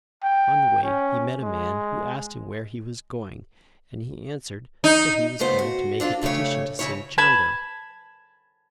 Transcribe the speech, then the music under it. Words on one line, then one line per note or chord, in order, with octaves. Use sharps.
On the way he met a man who asked him where he was going and he answered that he was going to make a petition to Singh Chando.
G5
C#4
G#3
D#4
F#2 C#3 A3 B3 C5
F#4
C4 D4 D#4 F4 A4
F2 C#3 A3 G4 C#5
F2 G#2 C#3 E4 C#5
A5 B5 G#6 E7